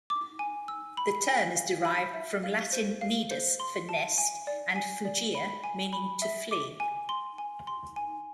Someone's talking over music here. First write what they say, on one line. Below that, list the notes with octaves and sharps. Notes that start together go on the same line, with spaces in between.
The term is derived from Latin "nidus" for "nest" and "fugere" meaning "to flee".
D6
G#5
E6
B5
G#5
F5
B5
E5
F5
C5
F5
C5
C6
A5
G#5
D5
G#5
D5
B5
G#5
B5
E5
D6
G#5
C6
G#5
C6
G#5